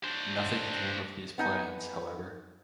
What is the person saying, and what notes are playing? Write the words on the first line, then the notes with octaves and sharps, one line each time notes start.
Nothing came of these plans, however.
D4 C5
B3 D#4 G#5